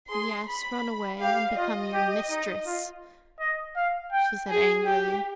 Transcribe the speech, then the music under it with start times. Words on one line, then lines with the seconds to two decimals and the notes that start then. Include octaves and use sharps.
"Yes, run away, and become your mistress," she said angrily.
0.11 G#4 C6
0.47 B5
1.20 G4 F5
1.57 F4 D#5
1.93 G4
2.30 D#4
2.66 F4
3.40 D#5
3.76 F5
4.12 G5
4.49 G#4 G#5
4.85 G4 G5